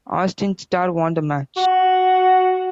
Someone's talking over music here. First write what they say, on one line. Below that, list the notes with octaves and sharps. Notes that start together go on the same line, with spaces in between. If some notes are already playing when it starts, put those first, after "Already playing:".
Austin Starr won the match.
F#4